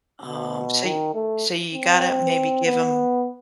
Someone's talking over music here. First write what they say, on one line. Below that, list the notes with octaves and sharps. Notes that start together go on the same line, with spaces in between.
Um, so y so you gotta maybe give him
B2
D#3
A3
C4
B3